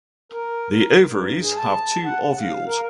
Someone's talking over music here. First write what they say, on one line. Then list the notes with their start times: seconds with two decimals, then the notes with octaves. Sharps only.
The ovaries have two ovules.
0.32 A#4
0.76 A#4
1.06 G2
1.41 G#4
1.56 A5
2.05 F#5
2.18 C#3
2.40 F5
2.67 A#4